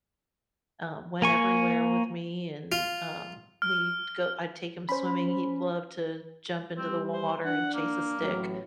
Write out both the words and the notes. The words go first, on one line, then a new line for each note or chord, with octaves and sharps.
um, went everywhere with me, and, um, we'd go I'd take him swimming. He'd love to jump into the water and chase a stick.
A#3 G#5 C#6
F4
F6
C#4 C5 B5
G3 C4
C5
D4 F#5
A#3
A1 A2 F#3